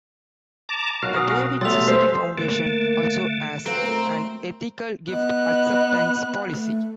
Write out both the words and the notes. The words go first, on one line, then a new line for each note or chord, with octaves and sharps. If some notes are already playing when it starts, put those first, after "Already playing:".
The David Suzuki Foundation also has an Ethical Gift Acceptance policy.
A5 A#5 D6
B1 F#4 A#4 F5 F#6
G#5 D#6
B2 F#3 G3 A3 C6 E6 A6 F7
C5 E5 F5
D3 A3 A#3
F#2 F#3 C4 A4 B4 F5
F#3 A3 A#4
B3 D#5 F#6
A3